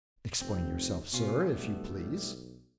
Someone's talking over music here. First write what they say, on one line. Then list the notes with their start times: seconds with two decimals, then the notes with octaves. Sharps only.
"Explain yourself, sir, if you please."
0.41 F1 C4
1.14 B2 C#4 F4
1.48 B1 G3 A3 B3